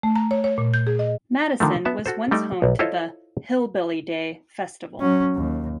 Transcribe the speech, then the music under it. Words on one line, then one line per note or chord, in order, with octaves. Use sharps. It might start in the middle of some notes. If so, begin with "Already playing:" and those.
Madison was once home to the "Hillbilly Day" festival.
A3
A#5
C#5
C#5
A#2
G6
G#4
D#5
D3 D#3 F3 A3
B3 E5 A5
F#4 A4 C5
G3 A3 D#4 G5
B1
E4 F4 A4 C5 C#5 D#5
F#3 C#4
D#2